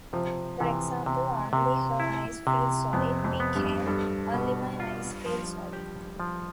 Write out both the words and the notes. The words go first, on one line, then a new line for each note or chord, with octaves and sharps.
For example, "Only her eyes feel solid" became "Only my eyes feel solid".
C3 F3
C3 E3
C3
C3
E4
C3
F2 B3
F2
B3
G2
G2 A4
B2
F4
F3
G4
F3